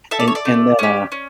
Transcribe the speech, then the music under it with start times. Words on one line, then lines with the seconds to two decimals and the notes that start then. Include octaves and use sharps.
and and then, uh,
0.11 A4 E5
0.20 D5
0.28 C#5
0.35 D5
0.45 A3
0.79 C#4 G4
1.12 C#4